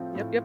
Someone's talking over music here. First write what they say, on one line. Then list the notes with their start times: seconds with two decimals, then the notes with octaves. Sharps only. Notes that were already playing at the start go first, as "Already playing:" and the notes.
Yep, yep.
Already playing: A2 F3 C4 F4
0.15 A2